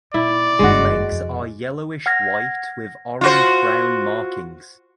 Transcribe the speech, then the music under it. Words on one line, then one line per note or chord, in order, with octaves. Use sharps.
The legs are yellowish white with orange brown markings.
A#2 E4 D5
F#1 G2 G#3 F#4
F2 C3
F#5 F6 G#6 A#6
F4 F#4 C5